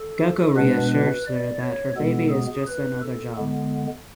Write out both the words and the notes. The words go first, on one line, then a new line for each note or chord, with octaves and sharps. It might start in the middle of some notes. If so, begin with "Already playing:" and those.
Gekko reassures her that her baby is just another job.
Already playing: A4
B2 G#3 B3 D4 B4
B4
D5
C#5
B2 G#3 B3 A4
G#4
B4
A4
D3 G#3 B3